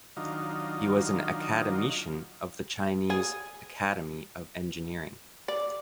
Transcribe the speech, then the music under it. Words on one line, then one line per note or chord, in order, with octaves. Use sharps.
He was an academician of the Chinese Academy of Engineering.
D#3 F#3 D4 D#4 F4
G#4
D5